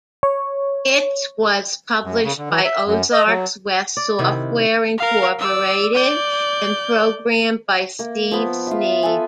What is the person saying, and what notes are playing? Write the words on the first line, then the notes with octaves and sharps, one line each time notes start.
It was published by Ozarks West Software Incorporated and programmed by Steve Sneed.
C#5
F#2
C#3
D3
E3
E5
F#2
D#5
F#3
D5
C3 D#3 E4
A#4 F5
D5 E6
D5 G6
A#3
F3 B3
F4 E5
A4 B4 G#5